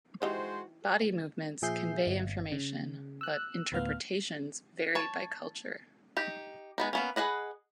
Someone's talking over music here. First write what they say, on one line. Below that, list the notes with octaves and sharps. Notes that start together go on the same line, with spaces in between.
Body movements convey information, but interpretations vary by culture.
E3 G#3 D#4 F#4 G4 C5
A#2 F3 G#4 E5 G6 C7
G1
C#3
E6 F#6
D2 A2 B3 F5 F6
C#5 A5
D#4 G4
G#3 B3 D#4
A#3 B3 C#4
G#4 B4 D#5 F#5